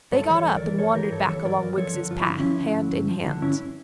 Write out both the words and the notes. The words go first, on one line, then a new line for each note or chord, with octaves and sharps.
They got up and wandered back along Wiggs's path, hand in hand.
G2 A4 C#5
E3
A4 C#5
G2
A#4 D5
E3
G2 A4 C#5
E3 G4 A#4
G2 A4 C#5
E3 A4 C#5
G2 A#4 D5
G2
F3 A4 C#5
D3
G2 F4
E4
G2 D4
F3 C#4 E4
D3
G2
G2
F3
D3
G2 C#4 E4